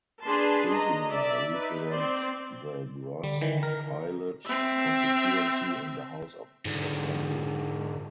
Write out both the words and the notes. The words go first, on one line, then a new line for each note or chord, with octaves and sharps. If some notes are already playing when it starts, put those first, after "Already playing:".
Casimir represents the Gros Islet constituency in the House of Assembly.
D4 G#4 B4 A5 C6
D#5 A#5
D5 E5
D#4 B4
C4 C5 D5
D3 G3
D#3 E3
A#4
C4 E5
G#2 D3